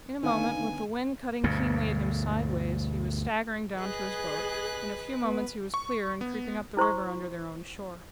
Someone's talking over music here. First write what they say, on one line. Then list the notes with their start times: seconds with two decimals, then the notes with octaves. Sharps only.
In a moment, with the wind cutting keenly at him sideways, he was staggering down to his boat; in a few moments he was clear, and creeping up the river under their own shore.
0.23 D#2 D3 B3 D#4 F5 G#5
1.44 D2 G2 B2
3.77 G#4 B4 D#5 F#6
5.22 B3
5.74 C#6
6.21 B3
6.77 E4 C5 C6 C#6